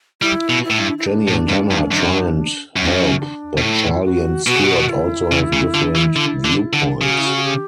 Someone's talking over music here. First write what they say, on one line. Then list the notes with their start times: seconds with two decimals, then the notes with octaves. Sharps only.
Jenny and Hannah try and help but Charlie and Stuart also have different viewpoints.
0.22 G3 E4
0.50 B2
0.64 E4
0.70 A2
0.78 G2
0.98 E4
1.07 D4
1.28 A2
1.49 G2
1.71 G2
1.91 F#2
2.76 F#2 C#4
2.85 G2
2.93 F#2
3.19 D4
3.57 B2
3.61 A2 E4
4.04 F#4
4.47 B2 F#4
4.55 C#3
4.64 B2
4.89 E4
5.32 C#3
5.53 C#3
5.74 D3
5.95 E3
6.16 D3
6.45 D3
6.73 D3
7.01 C#3 G4
7.11 F#4
7.19 E4
7.26 F#4
7.37 F#4
7.44 G4